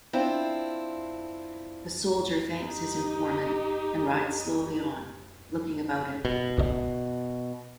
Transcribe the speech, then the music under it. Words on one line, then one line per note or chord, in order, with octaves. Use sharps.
The soldier thanks his informant and rides slowly on, looking about him.
C4 D4 E4 F4
D#4 G4
B2